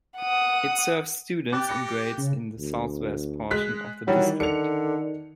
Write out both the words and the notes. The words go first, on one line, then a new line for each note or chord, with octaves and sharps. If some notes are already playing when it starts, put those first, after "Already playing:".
It serves students in grades in the southwest portion of the district.
F#5 D#6
G4 G5 D6 F#6 A6
D6 A#6 C#7
C#3
D2
G#3 F#6 B6
D#3 E3 F#3 G3
D3 C#7 F7